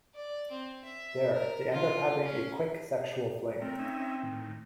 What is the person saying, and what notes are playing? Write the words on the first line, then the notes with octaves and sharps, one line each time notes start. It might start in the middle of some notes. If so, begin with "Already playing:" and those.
There, they end up having a quick sexual fling.
D5
C4
E5
A#4
F4
C#4
A3 C4 A#4
C#4 D#4 E5
A2 D#3